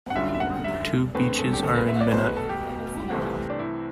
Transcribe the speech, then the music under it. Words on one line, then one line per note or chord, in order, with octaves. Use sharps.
Two beaches are in Minot.
F#5
F#2 D3 G3 E5
E5
F#5
E5
E2 D3 A3 C4 B4
A4
G4
A4
B4
E5
D5
B4
B1 B2 A3 C5
B4
A4
G4
C2 C3 E3 A3 C4
D4
E4